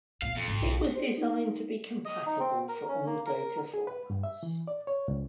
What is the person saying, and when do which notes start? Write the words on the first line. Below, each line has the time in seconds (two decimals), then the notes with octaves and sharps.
It was designed to be compatible for all data formats.
0.22 A#1 E2 F5
0.36 F2
0.48 G#1
0.60 B1
0.94 G4 C5 D5
1.18 D#4
2.05 D#5
2.26 D#4
2.40 C4
2.69 A#4
2.88 C#4
3.06 A#3
3.26 A#4
3.74 G#4
3.87 B4
4.10 G2
4.23 E5
4.43 E3
4.68 D5
4.87 C#5
5.08 C#2